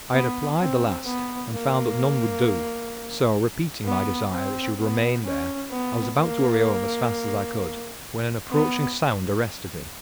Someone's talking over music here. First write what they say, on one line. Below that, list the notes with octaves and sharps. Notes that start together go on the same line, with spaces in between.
I had applied the last, and found that none would do; so, repeating my desire that she would remain there, I was about to hurry home as fast as I could, when an approaching sound arrested me.
B3
C4
B3
A#3
B3
C4
B3
C#4
B3
A#3
B3